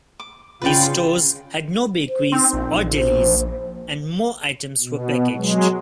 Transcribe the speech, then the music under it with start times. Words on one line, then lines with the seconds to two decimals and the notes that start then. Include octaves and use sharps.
These stores had no bakeries or delis and more items were packaged.
0.20 D6
0.62 C#3 F4 B4 D5 G5
2.08 C5
2.32 C4 D#4
2.53 A#1
2.96 C5
4.81 B2
5.36 F#3 G#3